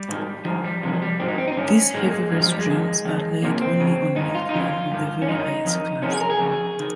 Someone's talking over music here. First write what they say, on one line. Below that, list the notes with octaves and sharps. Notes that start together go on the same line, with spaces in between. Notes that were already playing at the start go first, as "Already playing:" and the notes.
These heavy restraints are laid only on milkmen of the very highest class.
Already playing: G3
G#2 D#3
G#2 D#3 F3
G3
F2 C3 D#3 F3
F3
G3
G#2 D#3 C4
D#4
C4
D#4
C4
G2 D#3 C#4
G#2 D#3 G#3
A#3
G#3
G2 D#3 G#3
F3
G3
G#3
F2 D#3
F2 D#3
F2 C3 D#3 A#3
C4
F2 C#3
G2 D#3 D#4
F4
D#4
F2 C#3 F4
G2 D#3
C#4
G2 D#3 D#4
F2 D#3
F2 C3 D#3 C#4
G#4
A#4
G#4
F2 C#3
D#3